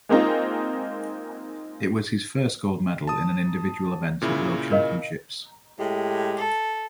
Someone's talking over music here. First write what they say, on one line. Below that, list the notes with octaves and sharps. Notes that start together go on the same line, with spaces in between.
It was his first gold medal in an individual event at world championships.
G#3 A#3 C4 D#4 F4
A5 D#6
A#2 C#3 E4
A#4 D#5 F5
A2 G#3 G4
A4